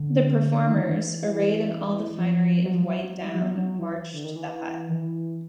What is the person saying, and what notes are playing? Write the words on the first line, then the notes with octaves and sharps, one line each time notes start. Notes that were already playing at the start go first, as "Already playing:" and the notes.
The performers, arrayed in all the finery of white down, march to the hut.
Already playing: D3
D#3
E3
E3
F3
F#3
F3
F#3
F#3
G3
F3
F#3
F#3
E3
D3
D#3
E3
D#3
E3